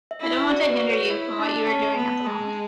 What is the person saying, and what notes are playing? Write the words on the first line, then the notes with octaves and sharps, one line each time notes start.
I don't want to hinder you from what you are doing at the moment.
E5
E4
E5
F#4 D5
B4
C#5
E4
D4
C#4 A5
B3
G#3 A5